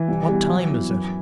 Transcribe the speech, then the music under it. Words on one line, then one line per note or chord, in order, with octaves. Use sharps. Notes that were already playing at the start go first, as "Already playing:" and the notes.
"What time is it?"
Already playing: E3
C2
B2 G3
F#3
B3 E4
F#2